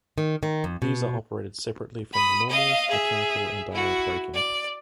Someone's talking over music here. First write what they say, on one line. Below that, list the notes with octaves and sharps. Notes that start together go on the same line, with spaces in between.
These are operated separately from the normal mechanical and dynamic braking.
D#3
D#3
F2
B2
B5 D#6
D#5 F5
G#4 E5
E4 F#4
D5